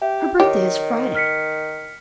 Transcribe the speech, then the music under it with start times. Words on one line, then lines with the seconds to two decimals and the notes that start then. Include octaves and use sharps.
Her birthday is Friday.
0.02 G4 E5
0.40 D#3 G4 C#5
1.15 F6 B6 C#7